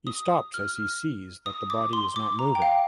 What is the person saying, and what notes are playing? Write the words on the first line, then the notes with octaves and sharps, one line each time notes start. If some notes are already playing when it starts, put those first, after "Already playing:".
He stops as he sees that the body is not moving.
D#6
F6
D#6
D6
C6
D6
A#5
G5
F5